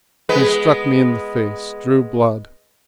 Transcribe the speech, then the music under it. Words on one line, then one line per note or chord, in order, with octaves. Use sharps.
He struck me in the face, drew blood.
G#3 B3 B4